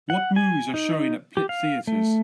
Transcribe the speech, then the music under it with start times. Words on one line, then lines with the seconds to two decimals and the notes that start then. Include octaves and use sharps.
What movies are showing at Plitt Theatres.
0.10 F#5
0.36 G#5
0.74 D#4
1.37 G4
1.49 F5
1.87 A3